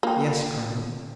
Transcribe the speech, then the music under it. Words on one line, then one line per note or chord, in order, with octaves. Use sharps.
"Yes, colonel."
A#3 F4 G5